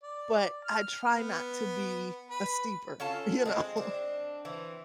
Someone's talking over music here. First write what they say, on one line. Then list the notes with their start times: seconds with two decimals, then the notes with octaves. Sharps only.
but I try not to be a steeper, you know,
0.03 D5
0.64 F6
1.14 B3
2.30 B4
3.00 C#4 F4 A4 A5
3.45 G#3 C4
3.77 C4 D4
4.45 E3 C4